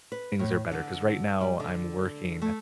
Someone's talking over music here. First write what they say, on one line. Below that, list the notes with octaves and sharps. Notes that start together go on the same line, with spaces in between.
things are better. 'Cause right now, I'm working
B4
A2
D3
G3
D3
A3